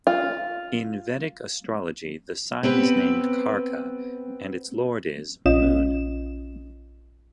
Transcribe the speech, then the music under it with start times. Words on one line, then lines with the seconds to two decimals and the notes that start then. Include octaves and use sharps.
In Vedic astrology the sign is named Karka and its Lord is Moon.
0.07 F4
2.63 B3 C4 G4 B4
5.46 A#1 C#4 F4 D#5 E7